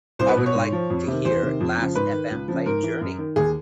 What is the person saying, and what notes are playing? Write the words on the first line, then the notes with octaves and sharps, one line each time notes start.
I would like to hear lastfm play journey.
C2 C5
B4
B2
C#5
G#2
F3
F2
C3 D#3
E2 C5
C3 D#3
F2
C#3 F3
G#2 B4
D#3
C#2
C#3 F3
G#2 A#4
E3
F#2
D#3
D#2 G#4